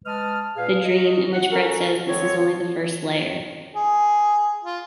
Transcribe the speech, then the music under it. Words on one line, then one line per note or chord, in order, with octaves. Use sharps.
The dream - in which Fred says This is only the first layer.
G#3 B4 A5 D#6 F6
A#2 G#4 B4 F5
D#5
F#5
C#4 F#4 A4 A#4
D3 F3 G#3 C4 C#5
G#4
F4